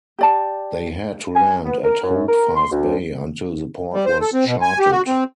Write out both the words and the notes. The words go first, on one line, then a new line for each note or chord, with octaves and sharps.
They had to land at Holdfast Bay until the port was charted.
G4 D5 A5
G#5
B3
A#4
F#2
A#4
C6
D2
G3
C5
A4
C4
B2
G#5
G4
F#4
C4